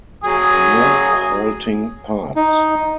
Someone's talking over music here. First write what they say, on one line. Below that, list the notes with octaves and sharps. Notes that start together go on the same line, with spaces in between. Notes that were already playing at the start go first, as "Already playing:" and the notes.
No halting parts.
F#3 G#5 D#6
D#4